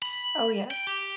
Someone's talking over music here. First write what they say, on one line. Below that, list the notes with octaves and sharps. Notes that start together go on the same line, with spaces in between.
Oh yes.
B5
G5
G4